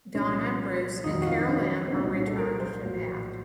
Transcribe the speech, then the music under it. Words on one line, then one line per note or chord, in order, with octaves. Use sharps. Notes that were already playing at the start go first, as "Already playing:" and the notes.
Donna, Bruce and Carol Anne are returned to Pat.
C2 A#2 F3 C#4
F2 D#3 F#3 D#4
D#4
F#4
F4
D#4
C#4
C4
C2 A#2 F#3 C#4
D#4
C#4
A4
A#4
C5
A#1 A2 F#3